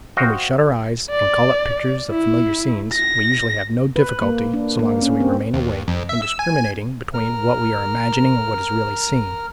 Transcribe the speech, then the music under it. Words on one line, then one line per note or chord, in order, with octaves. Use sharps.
When we shut our eyes and call up pictures of familiar scenes, we usually have no difficulty, so long as we remain awake, in discriminating between what we are imagining and what is really seen.
F#4 C5 D#5 F5 G5
D5
E4
A#6
B4
A#3
D4
A#3
C#4
C4
D#2
F2
E5
E6
G#5
A#4 F6